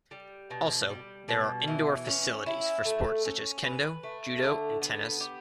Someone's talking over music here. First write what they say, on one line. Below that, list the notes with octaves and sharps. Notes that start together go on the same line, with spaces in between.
Also there are indoor facilities for sports such as kendo, judo and tennis.
G3
B2
G3
B2
E3
C#4
E4
A3
C#4
B4
A3
D3
B3
G4